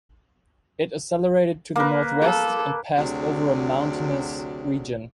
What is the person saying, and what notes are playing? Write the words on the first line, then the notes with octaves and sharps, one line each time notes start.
It accelerated to the northwest, and passed over a mountainous region.
A#3 B4
A4
D2 C3 F#3 G#4 D5